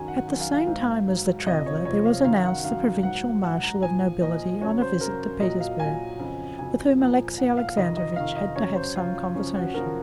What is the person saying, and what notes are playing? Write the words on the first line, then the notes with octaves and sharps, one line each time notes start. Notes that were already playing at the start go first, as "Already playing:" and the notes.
At the same time as the traveler there was announced a provincial marshal of nobility on a visit to Petersburg, with whom Alexey Alexandrovitch had to have some conversation.
Already playing: F#2 D#3 F#3 G#5
F#5
F#2 D#3 F#3 F#5
F5
F5
G#2 F#3
G#2 F#3
F2 C3 F3 D#5
C#5
F2 C3 F3 C#5
F5
F#2 D#3 F#3 F5
F#5
F#2 D#3 F#3 F5
G#2 F#3 F#5
G#2 F#3 F#5
A#5
A#2 F3 G#5
A#2 F3 D#5
F#2 C#3 F#3 C#5
C5
F#2 C#3 F#3 A#4
A#2 F#3 D#5
F5
A#2 F#3 G#5
F2 C#3 F#3
F2 C#3 F#3 G#5
A#2 F3
A#2 F3 F#5
F5
F2 C3 D#3 D#5
D#5
F2 C3 D#3 F5
D#5
F#2 C#3 F#3 C#5
C5
F#2 C#3 F#3 F4
F#2 C#3 F3 C#4
F#4
F#2 C#3 F3 A#4